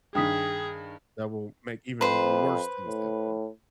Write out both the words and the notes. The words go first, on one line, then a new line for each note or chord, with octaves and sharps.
that will make even worse things happen
G2 D#3 G#4 G5 D#6 B6
F2 B4 C5
A2